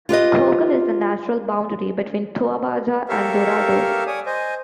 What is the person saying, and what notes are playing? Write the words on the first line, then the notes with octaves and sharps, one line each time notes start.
Cocal is the natural boundary between Toa Baja and Dorado.
F4 G4 B4 D#5
G4 A4 A#4 C#5 E5 F5
C#5 D5 G#5 D#6
C5 D#5 G#5